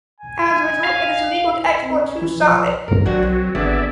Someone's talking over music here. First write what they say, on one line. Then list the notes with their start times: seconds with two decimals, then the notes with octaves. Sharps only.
As a result, it is illegal to export true salep.
0.20 G#5
0.84 F5
1.82 C4
1.97 C#4
2.22 E3
2.42 F3
2.88 G2 A#4
3.06 A#1 F#3 C4 D4 F#4 F#5
3.23 B1 C5
3.55 G#1 D3 B3 G#4 D5 E5